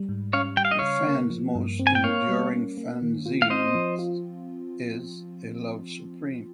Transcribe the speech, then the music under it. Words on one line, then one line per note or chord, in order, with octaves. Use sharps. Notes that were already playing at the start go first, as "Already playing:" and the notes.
The fans most enduring fanzines is "A Love Supreme".
Already playing: G3
G#2
C#4 C#5 F5
G3 G5
F5
D#5
C#3 C#5 F5
A#3
F3
G2
C4
G#5
G5
A#3 C#5 F5
G3
C#4
A#3
D#3
F4
F5
C4 C5 D#5
F3
F4